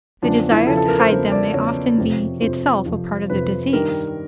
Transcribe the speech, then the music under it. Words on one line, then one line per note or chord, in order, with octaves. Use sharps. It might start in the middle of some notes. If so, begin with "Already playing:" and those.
The desire to hide them may often be itself a part of the disease.
E2 C#3 F3 D4
E4
E2 C#3 F3 A4
A4
A#4
C5
E2 C#3 F3 C5
D5
E2 C#3 F3 C#5
F2 C3 F3
F2 C3 F3 C5
F2 C3 F3
F2 C3 F3 B4
G2 D#3 G3 A#4